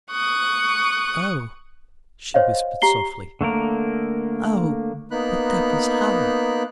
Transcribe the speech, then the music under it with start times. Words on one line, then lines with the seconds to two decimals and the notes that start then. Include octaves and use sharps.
"Oh!" she whispered softly; "oh! but that was hard."
0.11 C#6 D#6 F#6
2.34 C5 C#5 D#5 F5
2.82 G4 A#5 C7 G7
3.41 D3 A3 A#3 A#4
5.11 A#3 B3 D#4 B5 F#6